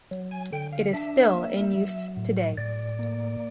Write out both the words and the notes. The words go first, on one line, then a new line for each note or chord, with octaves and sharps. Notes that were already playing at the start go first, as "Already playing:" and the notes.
It is still in use today.
F#3
G#5
D3 G5
F5
D4 E5
A#3
F#3
A2
A2 D5
A#3